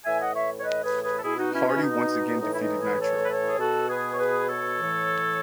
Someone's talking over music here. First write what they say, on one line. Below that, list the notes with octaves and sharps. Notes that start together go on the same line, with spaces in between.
Hardy once again defeated Nitro.
A2 E3 E5 G#5
D#5 F#5
C#5 E5
C#5
B4 D#5
G#4 B4
G#4 B4
A4
B2 E4 G#4
D#4 F#4
C#4 E4
C#4
E4
D#4
A2 E3 D#4
E4
D#4
G#4 B4
A4 C#5
B4
A4 C#5
G#4
B2 F#4 A4
G#4 B4
C#5
G#4 B4
A4 C#5
A2 E3